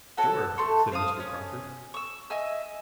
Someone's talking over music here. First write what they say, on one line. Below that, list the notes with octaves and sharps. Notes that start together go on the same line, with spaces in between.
"Sure," said Mr. Crocker.
F#4 A4 C#5
A3 C6 C#6
C5 F5 G#5 D#6
C#4
C#6 E6
D#5 E5 G#5 E6